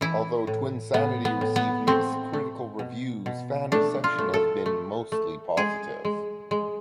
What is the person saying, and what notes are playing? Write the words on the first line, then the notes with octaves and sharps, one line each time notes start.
Although "Twinsanity" received mixed critical reviews, fan reception has been mostly positive.
E3 E4
A2
A2 B3
B3
A2
B3
A3 C4
A3
B2
B2
A3 D4
F4
A3
A4
A3
A3
G#3 G#4
G#3
G#3